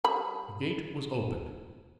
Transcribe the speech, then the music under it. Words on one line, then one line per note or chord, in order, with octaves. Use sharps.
The gate was opened.
G3 B5